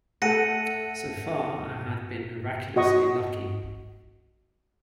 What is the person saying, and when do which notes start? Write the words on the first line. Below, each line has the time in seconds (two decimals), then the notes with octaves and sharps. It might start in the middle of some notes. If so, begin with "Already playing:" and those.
So far I had been miraculously lucky.
0.22 A3 A4 F#5 A#6 C#7 D#7
2.76 F#4 D#5 C#6